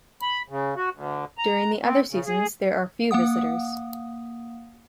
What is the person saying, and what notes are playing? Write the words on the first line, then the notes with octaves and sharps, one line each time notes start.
During the other seasons there are few visitors.
B5
C#3
F#4
D2
A#5
C4
C#3
G#4
A#3 F5 F#5 D#6